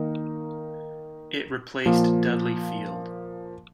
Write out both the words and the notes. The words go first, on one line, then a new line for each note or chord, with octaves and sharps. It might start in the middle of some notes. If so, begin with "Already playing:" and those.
It replaced Dudley Field.
Already playing: D#3 A#3 D#4 A#4
A#2 F3 A#3